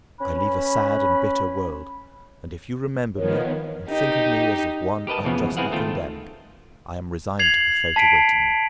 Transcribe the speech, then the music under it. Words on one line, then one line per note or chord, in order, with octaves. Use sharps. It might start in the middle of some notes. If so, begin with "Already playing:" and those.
I leave a sad and bitter world; and if you remember me and think of me as of one unjustly condemned, I am resigned to the fate awaiting me.
C#4 B4 B5
D#3 F3 B3 A#4 C#5 D#5
D#4 G4
G4 A#4 B4 D#5 A5
E2 C#3 F3 B3
B3 C4 E4 G#4 F5 F#5
D#3 A3 F4 G5
G#6 C7 F7 F#7
A5 B6 C7 D7 D#7